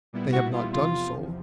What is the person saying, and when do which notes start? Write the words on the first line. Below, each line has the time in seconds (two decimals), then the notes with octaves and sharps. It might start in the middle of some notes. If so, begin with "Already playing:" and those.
"They have not done so."
0.13 A#2 G3 B3 E4
0.33 F#4
0.53 F4
0.72 E2 C3 F3 F4